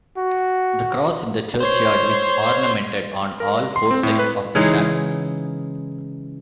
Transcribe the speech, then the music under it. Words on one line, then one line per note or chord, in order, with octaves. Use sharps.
The cross in the churchyard is ornamented on all four sides of the shaft.
F#4
C5 C#5 C6
A#4
C6
C4
A2
B4
C#3 E3 G#3 D#4